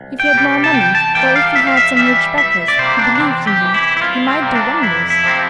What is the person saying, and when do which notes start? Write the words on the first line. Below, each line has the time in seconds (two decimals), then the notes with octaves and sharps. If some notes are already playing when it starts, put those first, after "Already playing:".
If he had more money, or if he had some rich backers who believed in him, he might do wonders.'
Already playing: C2
0.20 G5
0.34 C3 G3
0.64 A5
0.74 E2 G5
0.95 A5
1.15 E3 G3 A#3 G5
1.36 F5
1.55 F2 E5
1.67 F5
1.77 E5
1.96 E3 G3 E5
2.37 C2 E5
2.68 D5
2.78 C3 G3 A#3 C5
2.99 D4
3.15 D4
3.19 E2 C4
3.47 G4
3.61 C3 E3
3.74 E4
3.97 E4
4.01 C2 F4
4.28 C4
4.42 C3 G3 A#3
4.55 D4
4.82 F2 E4
5.10 E4
5.24 C3 F3 A#3 C4